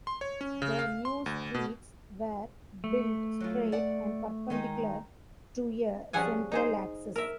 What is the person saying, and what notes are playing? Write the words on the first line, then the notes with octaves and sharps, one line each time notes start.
The new streets were built straight and perpendicular to a central axis.
C6
C#5
C#4
C#3
F5
C6
D2
B2
A3
F#3 F4
D5 F#5
D#3 G#3 D#4
F3 G3 C#4 G#4 F#5 G#5
D#4 G#4 C5
A#4 E5